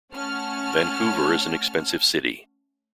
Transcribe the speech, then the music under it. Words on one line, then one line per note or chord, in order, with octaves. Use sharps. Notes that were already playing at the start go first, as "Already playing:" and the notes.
Vancouver is an expensive city.
A3 C#4 F#5 A5 F6